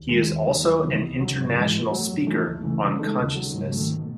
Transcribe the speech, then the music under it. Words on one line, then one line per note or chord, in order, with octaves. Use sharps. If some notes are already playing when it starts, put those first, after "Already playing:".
He is also an international speaker on consciousness.
Already playing: D#2
D#3 G#3
D#2
D#3 F#3
D#2
C#3 E3 B3 D#4
C#2
C#3 F#3
G#2
E3 G#3
A2
F#3 A3
F#2
E3 A3 D#4
C#2
C#3 E3 A3
C#3
G#3 D#4 A4
D#2
C#3 F#3
G#2
D#3 A3
B2